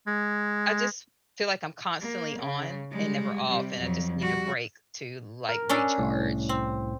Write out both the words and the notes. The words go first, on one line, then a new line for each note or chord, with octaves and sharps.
I just feel like I'm constantly on and never off, and I just need a break to, like, recharge.
G#3
A#3
C#3
G3 G#3
C3 G3
F2 F#3
G3 F#4
A#4
C#4 D4 A4
C2 A2
C4